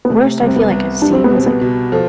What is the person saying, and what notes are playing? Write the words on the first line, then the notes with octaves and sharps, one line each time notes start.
the worst I feel, like, I've seen is, like,
B3
C3 A3
C2
C4
B3
C2
G3 D4
C4
B3
B2 C4
B3
B2
F3 A4